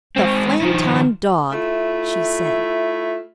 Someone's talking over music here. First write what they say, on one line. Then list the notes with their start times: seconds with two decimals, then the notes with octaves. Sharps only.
"The Flanton Dog!" she said.
0.16 G#3 C4
0.61 D#3 F3
1.52 A3 E4 F4